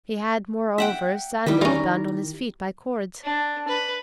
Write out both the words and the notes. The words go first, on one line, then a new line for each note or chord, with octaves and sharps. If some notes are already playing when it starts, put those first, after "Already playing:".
He had, moreover, sandals bound on his feet by cords.
E5 F#5 G5
D#3 G3 E4 G4
G3 C#4 A#4
D4
B4